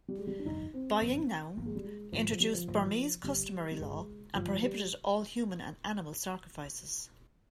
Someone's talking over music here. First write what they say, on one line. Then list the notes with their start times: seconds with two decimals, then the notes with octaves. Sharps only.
Bayinnaung introduced Burmese customary law and prohibited all human and animal sacrifices.
0.08 G3
0.18 G#3
0.27 G3
0.39 D4
0.45 G1 F2 C3 G3 D#4
0.74 C4
1.01 G#1 G2 F3
1.57 G#1 G2 F3 A#3
1.66 G#3
1.75 G3
1.84 G#3
2.12 A#1 G#2 D#3 F3 A#3
2.32 F3
2.40 G3
2.54 F3
2.68 A#1 G#2 D#3 F3 A#3
3.24 G1 G2 D3 G3
3.71 G3
3.79 G1 G2 D3 G#3
4.35 G#1 G2 D3 F3 G#3
4.63 G3